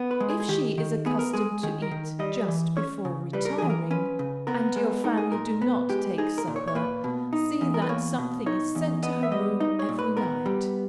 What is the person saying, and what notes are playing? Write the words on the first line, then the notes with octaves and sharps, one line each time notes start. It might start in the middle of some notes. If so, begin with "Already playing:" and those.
If she is accustomed to eat just before retiring, and your family do not take supper, see that something is sent to her room every night.
Already playing: B3
B4
G#3
G#4
G#4
D#3 G4
D#3
B3 G#4
A#4
G#3 G#4
D#3 G#4
A#4
D#3
G3 D#5
E3
C#4 C#5
C#3
G3 B4
A#4
E3 G#4
A#4
C#4 B4
C#3
B3 A#4
G#3
D#4 A#4
G#4
A#2 A#4
B3
G#3 G4
D#4 G#4
A#4
A#2
C#5
C#5
A#3 B4
B2
D#4
E2
A#4
B4
A#3 C#5
B2
D#4 C#5
E2
B3 D#5
E5
G3 D#5
D#4 D#5
C#5
A#2
B4
B3 A#4
G3